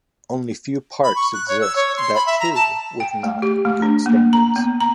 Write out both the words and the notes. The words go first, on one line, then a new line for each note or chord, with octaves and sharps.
Only few parks exist that too with not good standards.
B5
C#6
F#6
C#5
E6
C#5
C6
B5
E5
A#5
A5
G5
A3
G4
A3
D4
A#3
A#5
B3
A#5